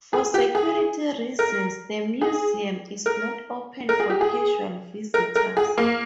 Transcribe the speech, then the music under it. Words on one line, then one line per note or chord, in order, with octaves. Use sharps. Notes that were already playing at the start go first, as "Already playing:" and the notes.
For security reasons, the museum is not open for casual visitors.
G#4
G4
G#4
A#4
G#4
A#4
A#4
G#4
G4
G#4
A#4
A#4
G#4
A#3